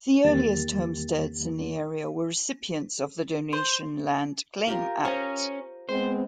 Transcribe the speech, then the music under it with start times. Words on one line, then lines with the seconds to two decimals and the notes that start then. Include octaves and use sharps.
The earliest homesteads in the area were recipients of the Donation Land Claim Act.
0.25 E2 D#3 G3 A#3 G4 A6
3.53 C5
4.67 F4 G4 A#4
5.05 C#4 C5 D#5 A#5
5.89 G#3 B3 C4 C5